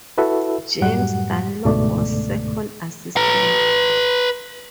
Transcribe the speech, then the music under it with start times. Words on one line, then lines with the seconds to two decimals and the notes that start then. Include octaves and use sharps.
James Dunlop was second assistant.
0.18 E4 F#4 A4 B4 E5
0.81 F#2 A2 F#3 G3 F#5
1.65 C#2 G#2 B2 D3 A3 D5
3.17 B4 A#5